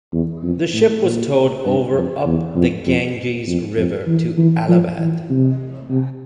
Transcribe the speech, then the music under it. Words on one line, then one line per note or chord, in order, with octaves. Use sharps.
The ship was towed over up the Ganges River to Allahabad.
E2
F2
A2
A#2
G2
F2
E2
F2
F2
F2
F2
E3
E3
F3
E3
C3
C3